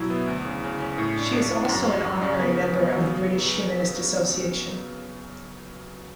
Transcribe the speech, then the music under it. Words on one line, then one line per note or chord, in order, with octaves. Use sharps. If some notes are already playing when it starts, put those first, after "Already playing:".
She is also an Honorary Member of the British Humanist Association.
Already playing: B2 F#3 E4
B3
D2
C#3
C#3
C#4
A2
D4
D4
A2
F#2
F#3
F#3
C#3
B3
B3
B3
F#3